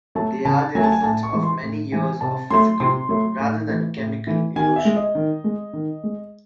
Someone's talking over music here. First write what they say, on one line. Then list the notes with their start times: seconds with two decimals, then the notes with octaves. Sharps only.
They are the result of many years of physical, rather than chemical, erosion.
0.15 F#3 A3 A5
0.45 C#3 A5
0.75 F#3 A3 G#5
0.84 A5
0.92 G#5
1.04 A2 A5
1.23 C#6
1.33 E3 G#3
1.43 C6
1.62 A2
1.92 E3 G#3 G#5
2.21 C3 A5
2.50 F#3 A3 C6
2.80 C3 C6
3.09 F#3 A3
3.39 A2
3.68 E3 A3
3.97 A2
4.27 E3 A3
4.56 D#3 G#5
4.76 E5
4.85 G#3
4.96 D#5
5.15 D#3
5.44 G#3
5.73 D#3
6.04 G#3